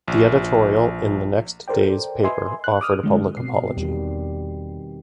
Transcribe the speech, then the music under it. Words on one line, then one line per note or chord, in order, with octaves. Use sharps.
The editorial in the next day's paper offered a public apology.
A#1
A4 A#4 C5 D5 G5
B4 D#5 E5 G#5 C6
F#6
D6 D#6 F6
D3 G#3
B2 C4 C7
E2 D#3 G3